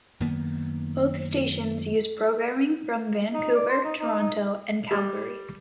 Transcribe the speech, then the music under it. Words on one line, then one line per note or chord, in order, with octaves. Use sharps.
Both stations use programming from Vancouver, Toronto, and Calgary.
F#2 D#3 A#3 B3
D#4
D5
C5
D#4
D#4
D#4
G3